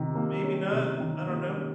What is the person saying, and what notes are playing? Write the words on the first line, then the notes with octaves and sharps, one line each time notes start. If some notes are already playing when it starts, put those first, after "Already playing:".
Maybe not. I don't know."
Already playing: C3 D#3
A#3
C#4
C3
D#3
A#3
C#4